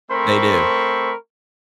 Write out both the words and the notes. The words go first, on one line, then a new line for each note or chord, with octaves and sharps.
They do.
A3 C4 A#4 C5 B5 C#6